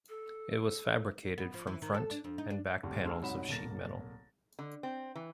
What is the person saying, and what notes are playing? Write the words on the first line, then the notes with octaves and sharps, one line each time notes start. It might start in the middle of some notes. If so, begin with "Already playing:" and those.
It was fabricated from front and back panels of sheet metal.
A4
B3
F3
E3
D#3
A4
D4
F2
D#4
D4
G#1 D2 G3
D2 D3 G#4 C6 E6 F6
C2 G#2 F#3 F#4 B5 E7
D1 B1 A#3 A6 A#6
D3
C4
E3